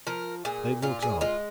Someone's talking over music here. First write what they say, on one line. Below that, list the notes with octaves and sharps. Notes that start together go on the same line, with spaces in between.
They looked up.
F3 A#4
A#2 G#4
A#2 F4
G#4
G#3 F4